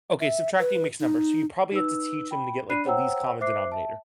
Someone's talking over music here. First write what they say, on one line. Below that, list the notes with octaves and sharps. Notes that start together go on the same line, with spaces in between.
Okay, subtracting mixed numbers, so you probably have to teach them to get, like, the least common denominator,
E5
B4
D#4
D#4 B4 E6
G5 B5
D4 D5 B5 F#6 C7 D#7
C5 C#5 F#5 G5 A#5 E6
C5 E5 D6 F#6 C7
E5 A5